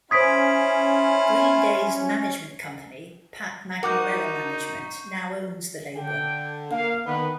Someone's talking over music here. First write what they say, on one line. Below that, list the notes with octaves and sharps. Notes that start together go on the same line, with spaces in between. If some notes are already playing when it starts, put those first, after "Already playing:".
Green Day's management company, Pat Magnarella Management, now owns the label.
C#4 E4 F4 C5 D#6 G#6 B6 D7
D#4 F#4 A#4 C#6 D6 F#6 G6 F7
D3 G5
A#3 F5
D3 D#3 B3 B4